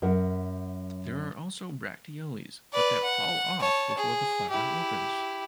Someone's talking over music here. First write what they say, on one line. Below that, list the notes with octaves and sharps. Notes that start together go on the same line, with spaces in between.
There are also bracteoles but that fall off before the flower opens.
F#2 A#4 E5 F#5
B4 D5
F#5
C#5 A5
G#4
E4 G4